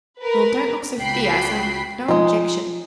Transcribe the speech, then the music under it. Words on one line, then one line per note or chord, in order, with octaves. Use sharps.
'Well, don't look so fierce; I've no objection.
A#4 B4
C#2 F#4 G5 B5 C7
F3 G#3 D#4